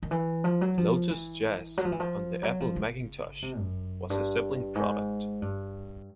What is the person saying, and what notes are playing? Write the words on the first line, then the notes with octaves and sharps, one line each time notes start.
Lotus Jazz on the Apple Macintosh was a sibling product.
D#3
E3
F3
F#3
F3
E3
F#3
F3
E3
F3
F#3
F3
C#3
C3
F#2
G2
G#2
G2